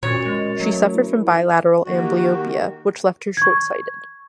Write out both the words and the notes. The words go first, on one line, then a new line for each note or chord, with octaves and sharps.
She suffered from bilateral amblyopia, which left her short-sighted.
A#2 C#4 F#4 A#4 C#5 A6
G#3
F#3 A3
E4
D#3 A#3 F#4 G4
C#6 G#6